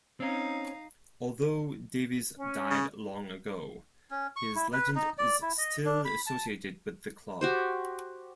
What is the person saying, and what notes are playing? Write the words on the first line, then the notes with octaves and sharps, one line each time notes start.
Although Davies died long ago, his legend is still associated with the club.
C4 C#4 D#4 F5
C#4
C#3
C#4
C#6
E4
B4
D#4
D5
E4
D#5
D4
B5
A5
F#4 G4 C5